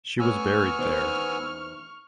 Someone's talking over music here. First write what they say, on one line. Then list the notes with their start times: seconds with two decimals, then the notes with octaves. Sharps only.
She was buried there.
0.19 A3 B3 C#5 G#5 C#6 E6 F6
0.79 E2 D#4 C5